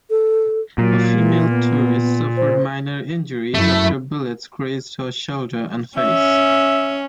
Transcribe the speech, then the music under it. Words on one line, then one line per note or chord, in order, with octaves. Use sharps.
A female tourist suffered minor injuries after bullets grazed her shoulder and face.
A4
A#2 F#3
E3
B3
C5
F#2 A3 E4
C#4 E5